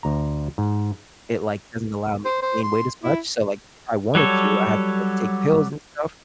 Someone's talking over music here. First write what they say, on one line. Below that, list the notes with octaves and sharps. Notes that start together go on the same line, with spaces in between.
it, like, doesn't allow me to gain weight as much, so, like, if I wanted to, I have to, like, take pills and stuff,
D2 A#5
G#2
C5
C5
C6
E4
F#3 G3 A4 C#5